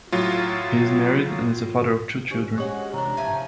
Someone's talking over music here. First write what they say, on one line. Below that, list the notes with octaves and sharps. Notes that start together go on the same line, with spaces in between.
He is married and is the father of two children.
A2 F#3 F4
D4 G4 C5
G#3 C#4 F#4 G4 C#5
C3 E3 D4 E4 C#5 A#5
F3 A3 G#5